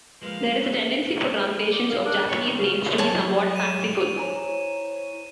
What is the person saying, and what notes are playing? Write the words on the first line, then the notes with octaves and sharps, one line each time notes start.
There is a tendency for translations of Japanese names to be somewhat fanciful.
F3 G#3 A#3 B4 F5
G#4
D5
A#3
D4
C#5
D#3
C#3
F#3 G#4 C#5 A5
D#7 E7
E4 C5 C#5 G#5 A#5